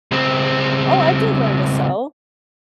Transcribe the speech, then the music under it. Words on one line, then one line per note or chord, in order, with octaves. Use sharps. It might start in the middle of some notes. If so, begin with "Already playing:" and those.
"Oh, I did learn to sew."
C#2 C4